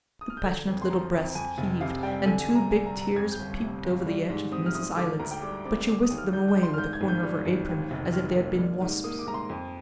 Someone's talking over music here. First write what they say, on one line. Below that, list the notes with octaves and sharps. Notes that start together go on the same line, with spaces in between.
The passionate little breast heaved, and two big tears peeped over the edge of Mliss's eyelids, but she whisked them away with the corner of her apron as if they had been wasps.
D#6
F6
G6
D3 G#6
F2
C6
F3 A#5
F2
F2 G#5
F1
C3 F5
G3 G5
D3 G#5
G#5
G2
A#5
G3 G#5
A#5
G2
A#5
F2 G#6
G6
G1
C3
G1
G3
G#2
C4 D#6
F6
G#2 D#6
D3 D6
D2 A#5
G5
G3 D6
C4 D6
D3 D6
D#6
D#2
F6
G3 G6
G6
D4
C6
F6
G#2 G6
G#6
G#1
G6
G3
G#1
D#2
F1
D#3 F6
A#3
G3
G#2
A#3 D#6
D6
G#2 A#5
C6
F2